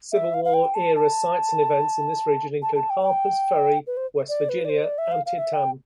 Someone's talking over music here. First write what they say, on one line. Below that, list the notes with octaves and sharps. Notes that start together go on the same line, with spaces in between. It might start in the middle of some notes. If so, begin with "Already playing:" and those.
Civil War-era sites and events in this region include Harpers Ferry, West Virginia; Antietam.
E5
F5
F5
G5
A5
A5
A5
A5
G5
G5
B4
C5
D5
B4
D5
C5
D5
E5
F5
F5
E5
G5